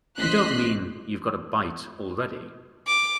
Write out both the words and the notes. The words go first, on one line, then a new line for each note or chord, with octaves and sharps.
You don't mean you've got a bite already?
A1 C5 D#5 F#6 B6 C7
D6